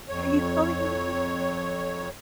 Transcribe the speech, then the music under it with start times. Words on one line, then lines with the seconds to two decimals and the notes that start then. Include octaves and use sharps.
why are you calling me?"
0.09 F2 C#5